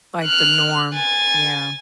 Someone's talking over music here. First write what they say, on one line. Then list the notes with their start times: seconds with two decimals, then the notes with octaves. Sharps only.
Like the norm. Yeah.
0.24 F6 F#6
0.94 G#5 A6